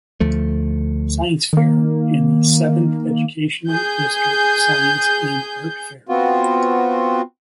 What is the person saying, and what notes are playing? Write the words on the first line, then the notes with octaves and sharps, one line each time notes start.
Science Fair and the Seventh Educational District Science and Art Fair.
D2 F3 A3
D#3 A#3
G#4 G6
B3 C4 F4 F#4